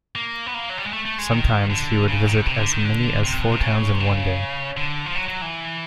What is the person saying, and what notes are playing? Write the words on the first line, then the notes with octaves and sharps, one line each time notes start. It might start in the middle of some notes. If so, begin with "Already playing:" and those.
Sometimes he would visit as many as four towns in one day.
A#3
B3
A#3
F#3
G3
G#3
A3
A3
G#3
D#3
D3
C#3
D#3
B2
C3
D3
D#3
D3
C3
B2
C3
C#3
C3
C#3
D3
F3
F#3
F#3
E3